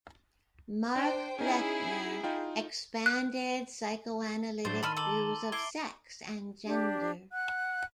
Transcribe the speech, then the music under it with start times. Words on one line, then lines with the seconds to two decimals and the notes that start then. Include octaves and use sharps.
Mark Blechner expanded psychoanalytic views of sex and gender.
0.96 D4 C5 G5
1.39 C#4 D#4 E4 G#4
2.24 D#4 F4 G5
3.06 F#6
4.65 A2 F#3 D4 C5 A6 G7
4.83 D#3 A5 B5 C6 E6 F6 D#7
4.97 A4 A#5 D6 F#7
5.52 E4 D6 C7 D7 G7
6.65 D4 G4
7.32 F#5 F#6